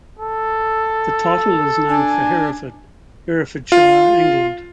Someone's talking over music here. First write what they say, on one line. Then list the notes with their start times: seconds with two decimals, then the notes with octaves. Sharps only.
The title is named for Hereford, Herefordshire, England.
0.19 A4
1.89 D4 G#5
3.72 F4